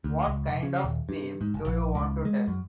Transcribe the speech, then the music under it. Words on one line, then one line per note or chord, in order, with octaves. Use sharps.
What kind of theme do you want to tell?
D2
C#2
F1
C#3
D#1
G2
G#2
F#1
A#1
C#2
G#3
F#2